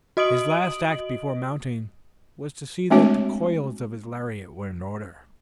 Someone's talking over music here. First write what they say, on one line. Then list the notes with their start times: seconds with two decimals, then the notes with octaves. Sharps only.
His last act before mounting was to see that the coils of his lariat were in order.
0.17 F#4 D#5 D#6 D7 F#7
2.90 G#3 A3 C4 D4 F#4 C#5